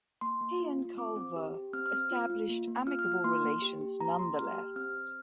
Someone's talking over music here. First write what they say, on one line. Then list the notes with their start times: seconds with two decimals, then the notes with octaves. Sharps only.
He and Culver established amicable relations nonetheless.
0.21 A#3 C6
0.41 A#3
0.60 F4
0.79 F4
0.97 C4 D6
1.16 C4
1.36 G4
1.54 G4
1.73 C4 F6
1.86 F6
1.92 C4
2.11 F4
2.30 F4
2.50 A#3
2.67 A#3
2.87 F4 F6
2.99 F6
3.05 F4
3.12 F6
3.24 A#3 C6
3.44 A#3
3.62 G4
3.81 G4
4.00 A#3 A#5
4.19 A#3 C6
4.39 G4 F6
4.57 G4
4.76 C4 F6
4.96 C4